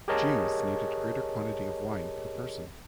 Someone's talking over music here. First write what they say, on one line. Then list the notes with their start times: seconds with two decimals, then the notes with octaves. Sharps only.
Jews needed a greater quantity of wine per person.
0.08 G4 G#4 A#4 C#5 D#5 A5